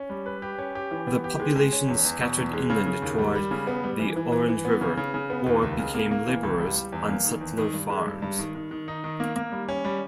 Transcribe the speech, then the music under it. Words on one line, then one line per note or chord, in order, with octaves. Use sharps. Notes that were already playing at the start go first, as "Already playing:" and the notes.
The population scattered inland toward the Orange River or became laborers on settler farms.
Already playing: C#4
G3
B4
G4
C#4
G4
E3
B3
G4
G#3
G#3
C#4
E2
E2
B2
E2
G#3
C#3
C#3
D#2
G3
G3
C#3
B3
G3
E3
E3
E3
E3
B3
C#3
C#3
C#3
B3
D#2
C#2
C#3
A#3
A#3
E3
C#2
G3
G3
E2
A#3
D#3
E2
D#3
G2
G#3
G2
G2
D#3
D#3
D#3
D#4
D#3
A#3
A#3
G3
C#4
G3